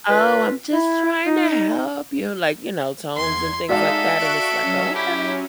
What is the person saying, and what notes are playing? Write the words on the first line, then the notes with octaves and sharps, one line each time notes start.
"Oh, I'm just trying to help you," like, you know, tones, and things like that, and it's like, "Okay."
D3 C#4 F4 B4
E4
D#4
E2 C6 G#6
G#3 D#4 F#4 A4 D5 E5 F5
C#6 F#6 D7
F#3 C#4
E4 G4